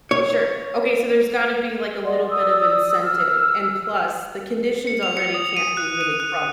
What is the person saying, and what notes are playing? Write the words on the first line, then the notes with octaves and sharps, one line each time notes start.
Sure. Okay, so there's gotta be like a little bit of incentive, and plus, the conditions already can't be really crummy.
C#5
D5 D#5 F#5 C6
D5 D#6 E6
E6 F6
C#7
F7
C#7
D#6
D#7
F#6
D#7
F#6